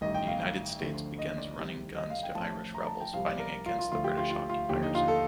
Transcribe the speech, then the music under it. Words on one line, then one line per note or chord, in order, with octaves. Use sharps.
The United States begins running guns to Irish rebels fighting against the British occupiers.
A1 G2 D#3 D#5
G5
F5
D2 D3 F3
D#5
D5
C2 C3 D#3
D#5
F5
G5
A1 A2 F3 A5
A#5
A5
G5
C2 C3 F3 F5
D5
A#4
F4
F4
D2 D3 F3 F4
G4
F4
F4
F4
D#2 D3 F3 G4
D#4
F4
A4